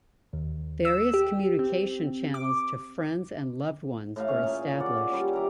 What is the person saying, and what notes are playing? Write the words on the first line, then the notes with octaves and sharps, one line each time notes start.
Various communication channels to friends and loved ones were established.
D#2
E6
G4
C4
D6
A2 F5
C#4 G#4 F5
A#2
D5 F#5
G3 C#4
A#4 E5 A#5 D6